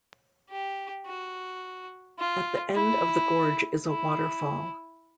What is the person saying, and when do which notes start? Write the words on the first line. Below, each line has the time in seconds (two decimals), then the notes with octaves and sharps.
At the end of the gorge is a waterfall.
0.50 G4
1.06 F#4
2.19 F4
2.75 E4
3.88 E4